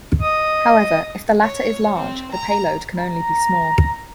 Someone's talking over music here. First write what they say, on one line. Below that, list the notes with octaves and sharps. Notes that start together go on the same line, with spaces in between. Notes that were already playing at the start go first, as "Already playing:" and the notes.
However, if the latter is large, the payload can only be small.
D#5 D#6
C#5
C4
A#5
A#5